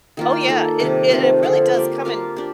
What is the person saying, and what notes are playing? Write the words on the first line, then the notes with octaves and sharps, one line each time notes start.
Oh yeah, it it it really does come in,
D#3 A#3 F4
A#3 D#4 A4
C3 D#3 G3
D#3 A3 C4 F4
D3 F3 A3 C4
A#3 D4 G4
A#3 F4 A#4 F5
D4 G4